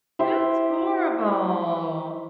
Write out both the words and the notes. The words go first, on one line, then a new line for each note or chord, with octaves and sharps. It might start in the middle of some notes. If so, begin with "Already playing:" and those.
That's horrible.
E4 G4 C5 E5